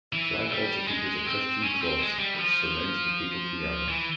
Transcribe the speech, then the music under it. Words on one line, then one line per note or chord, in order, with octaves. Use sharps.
The flag also features a Christian cross, which surmounts the Papal Tiara.
E3
G3
G#3
C4
C#4
C4
G#3
G3
E3
F3
E3